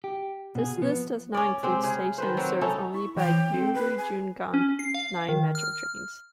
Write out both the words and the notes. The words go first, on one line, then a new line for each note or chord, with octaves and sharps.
This list does not include stations served only by Gyeongui-Jungang Line metro trains.
G4
B2 G#4
F3 B3
C#4 D5
G#3 C4 G4
C#3 G#4
D#3 B4 C5
F#3 C4 F#4
C#4 D#4 E4 A4
E4 C#6
E3 C5 C#5 G5
C4 A4
G#4 B4
G#5
C#4
C7
F5
D#3
F6